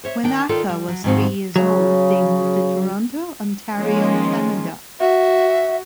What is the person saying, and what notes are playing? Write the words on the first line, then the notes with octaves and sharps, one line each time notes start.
When Arthur was three years old, they moved to Toronto, Ontario, Canada.
C5 C#5 E5
D#3 D4 G5
D#3 F4 A4 D5 G5
G3
F#3
G#2 D#3 F3 C4 F4 F#4
C#3 F#3
D#3 F3 G#3 A#3 C#4 F4
F#4 E5